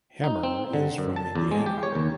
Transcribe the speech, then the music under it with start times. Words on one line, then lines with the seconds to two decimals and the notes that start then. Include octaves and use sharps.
Hemmer is from Indiana.
0.24 D#4
0.43 C4
0.73 D3
0.98 F#2
1.16 A5
1.35 E2
1.51 G#3
1.66 G4
1.83 C#5
1.95 D#2